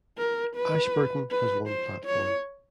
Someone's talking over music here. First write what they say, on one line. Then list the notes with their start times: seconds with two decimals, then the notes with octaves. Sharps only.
Ashburton has one platform.
0.18 A#4
0.56 B4
1.31 B4
1.68 C5
2.06 C#5